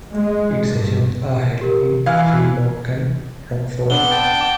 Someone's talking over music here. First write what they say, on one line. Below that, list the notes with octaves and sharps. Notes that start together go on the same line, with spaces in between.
Its sessions are held in Freeport and Rockford.
G#3
G2
G4 A#4
E3 F5 G#5 G#6
B3 C4 D4 F#5 G7
G5 A5
D6